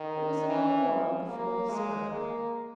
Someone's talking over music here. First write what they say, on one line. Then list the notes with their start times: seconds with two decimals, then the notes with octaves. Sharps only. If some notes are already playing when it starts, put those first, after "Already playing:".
It was a long while before he spoke.
Already playing: D#3
0.49 E3
1.29 A#3
1.71 G#3
2.10 A#3